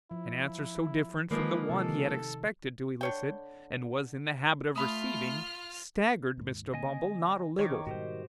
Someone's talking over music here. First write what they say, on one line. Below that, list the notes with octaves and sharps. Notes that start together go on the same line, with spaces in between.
An answer so different from the one he had expected to elicit, and was in the habit of receiving, staggered Mr. Bumble not a little.
F3 E4
D#3 F3 G#3 A#3 B4
C3 A4
D3 C#5 G5
A3 F4 B5 D#6 F6
D#2 G#2
D3 A#3 C4 D#5 G#5
D#3 C#5 C#6 D6
G#2 B2 G3 F#4 G4 C5